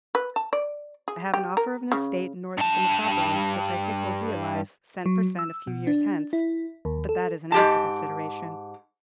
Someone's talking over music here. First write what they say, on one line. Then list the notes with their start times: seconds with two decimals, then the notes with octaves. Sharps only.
I have an offer of an estate north of the metropolis, which I think will realize cent per cent a few years hence: but that is an after consideration.
0.15 B4
0.36 A5
0.53 D5
1.08 G#4
1.34 G4
1.57 A#4
1.92 C#3
2.57 G2 A5
5.06 F#3
5.39 E6
5.67 B2
5.87 D4
6.33 E4
6.85 D#2
7.09 A4
7.52 G#2 G4 A5